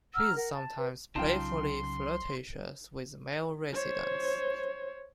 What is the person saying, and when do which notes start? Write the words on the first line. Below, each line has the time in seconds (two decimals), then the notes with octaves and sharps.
She is sometimes playfully flirtatious with male residents.
0.14 F#5 A#5 E6 F6
0.35 A#4 F#5
0.52 A5
0.76 B4
1.15 C2 C#3 F#3 D#4 F4 G5 A5 C6
3.73 C5 C#5